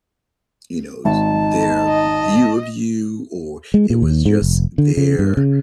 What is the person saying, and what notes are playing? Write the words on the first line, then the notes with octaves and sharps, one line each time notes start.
you knows, their view of you? Or it was just their,
G#1 D#4 A5
D#5
G#3
A#2
D#2
G#2
F1
D3
C#3
G2
C#3